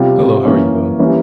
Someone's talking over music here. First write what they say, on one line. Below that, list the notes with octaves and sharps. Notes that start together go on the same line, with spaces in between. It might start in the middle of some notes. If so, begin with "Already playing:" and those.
Hello, how are you doing?
Already playing: C3 G3 C4 F4
E3 A#3 C#4
E3 G3 A#3 C#4